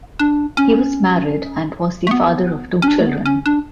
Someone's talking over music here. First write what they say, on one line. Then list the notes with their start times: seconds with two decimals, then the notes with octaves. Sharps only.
He was married and was the father of two children.
0.19 D4
0.57 C#4
2.07 A3
2.11 B3
2.82 C#4
2.88 D4
3.01 A3
3.07 B3
3.26 C#4
3.46 D4